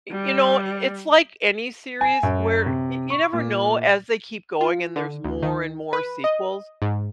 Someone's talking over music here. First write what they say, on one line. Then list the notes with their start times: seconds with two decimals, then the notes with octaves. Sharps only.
you know, it's like any series where y you never know, as they keep going and there's more and more sequels,
0.11 G3
2.01 G#5
2.23 F#2
2.66 C3
3.10 C#6
3.33 A#2
4.61 F4
4.96 D3
5.24 D2
5.43 D#3
5.93 B4
6.24 D#5
6.82 G#2